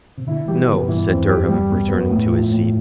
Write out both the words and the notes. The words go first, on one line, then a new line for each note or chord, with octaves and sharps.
"No," said Durham, returning to his seat.
C3
B2 D3 E4
E3 G3 G4
D3 F3 B3
C3
G2 B2 E3
E2 G2 C4
G4
G3
B2
B3
A2
F3
A2